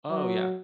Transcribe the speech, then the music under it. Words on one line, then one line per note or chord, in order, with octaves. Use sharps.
Oh, yeah.
F#3